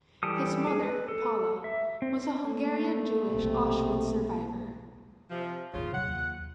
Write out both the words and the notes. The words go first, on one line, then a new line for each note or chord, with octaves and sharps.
His mother, Paula, was a Hungarian Jewish Auschwitz survivor.
E3 G3 G4 A4 D#6
G#4
B4
A4
E5
C4
A3 A#3
B1 C3
C3 F3
G1 D#2 A#2 C#3 F4
C3 F#3 F#5
D#2